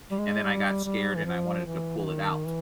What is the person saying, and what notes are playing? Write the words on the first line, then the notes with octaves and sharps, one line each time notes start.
and then I got scared and I wanted to pull it out,
G3
G#3
G3
G3
E3
F3
E3
E3
D#3
E3